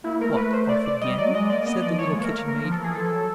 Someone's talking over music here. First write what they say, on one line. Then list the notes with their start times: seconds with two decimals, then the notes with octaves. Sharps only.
"What, off again?" said the little kitchen-maid.
0.04 A#3 E4
0.21 A3 A#4
0.37 A3 B4
0.53 C5
0.69 D5
0.86 D5
1.01 G3 D#5
1.18 F#3 D5
1.34 G#3 D#5
1.50 A#3 D5
1.67 B3 D#5
1.82 F3 D5
1.98 E3 C#5
2.11 G#3
2.17 A#3
2.23 A3 A#4
2.36 A#3
2.48 A#4
2.59 A#4
2.63 F3
2.72 A4
2.79 E3 G#4
2.95 F3 A4
3.12 F#3